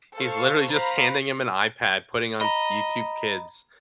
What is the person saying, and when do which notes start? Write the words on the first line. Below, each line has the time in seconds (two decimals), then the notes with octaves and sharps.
he's literally just handing him an iPad, putting on YouTube Kids,
0.16 A4 C5 F5 C#6
0.72 C5 F5 A#5 B5
2.41 D#5 A#5 B5